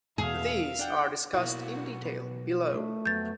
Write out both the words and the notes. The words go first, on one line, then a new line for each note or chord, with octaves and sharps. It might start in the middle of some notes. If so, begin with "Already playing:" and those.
These are discussed in detail below.
E2 B2 G#4 E5 F5
D4 F#5 G5
B1 A#3 E4 F#4 F5
B3 B4
A3 D4 E4
F2 F#3 B3 G6 A6